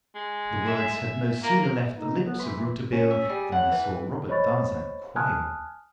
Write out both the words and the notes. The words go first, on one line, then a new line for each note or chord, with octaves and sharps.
The words had no sooner left the lips of Rouletabille than I saw Robert Darzac quail.
G#3
E5 G#5
A#3 A#4
E5
C#3 D#4 B4
F#3 B3 A4 C5
E3 B5 C6 B6
E3
C#4
E5
G3 G#4
A2 F#5
E3
C5 C#5 D#5 B5 C#6 A6
G#5 A5 D#6 F6 F#6 G#6